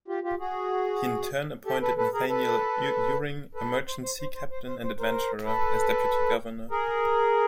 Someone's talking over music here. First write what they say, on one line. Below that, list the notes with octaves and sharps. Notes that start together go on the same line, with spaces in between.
He in turn appointed Nathaniel Uring, a merchant sea captain and adventurer, as deputy-governor.
F4 G4
F4 G4
F#4 G#4
G4 A4
A4 B4
A4 B4
G#4 A#4
A4 B4
A4 B4
C5
C5
C5
C5
C5
C5
C5
A#4 C5
A4 B4
G#4 A#4